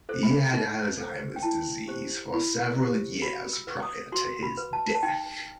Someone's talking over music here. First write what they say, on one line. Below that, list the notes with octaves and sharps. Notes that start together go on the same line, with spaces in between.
He had Alzheimer's disease for several years prior to his death.
A4 C5
B5
D#4
A4
C5
G5
E4 A5
G4 C5
E4 B5
G4 C5
F#4 B5
E6
B4
D#6
F#4 C6
B5
B4
A5
A5
D#4 G5